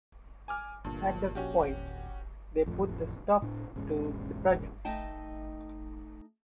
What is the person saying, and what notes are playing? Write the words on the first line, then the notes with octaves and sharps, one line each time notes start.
At that point, they put a stop to the project.
G#5 D6 F6
G1 G2 A#2
A#1 C#4 F#4 G4
D#1
A1 F2 A2 F3
A2 D4
E1 G#2 G#3 C#4
A3 D#4 D#5 G5 A5